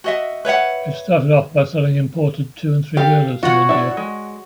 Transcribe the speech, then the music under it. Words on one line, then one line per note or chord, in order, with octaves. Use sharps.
It started off by selling imported two- and three-wheelers in India.
F#4 D#5 E5
B4 C#5 E5 F#5
G4 A4 F5
F4 F#4 C#5 F#5
D4 E4
G#3